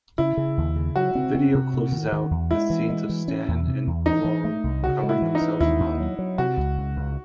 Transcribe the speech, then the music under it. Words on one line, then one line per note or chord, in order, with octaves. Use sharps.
The video closes out with scenes of Stan and Olaru covering themselves in mud.
C#3 E4
C#3
D#2
C#3
F#3 F#4
C4
C4
C3
C3
D#3
D#3
E2
G#3 E4
E3
G#3
E3
C#4
E2
C3
E2
E3 D#4
E3
A3
C2
C#3 F#4
G#3
E4
E3
D#4
E3
D#2 E4
D#2
F#3
F#3
C3 F#4
C#2
C#2
C#2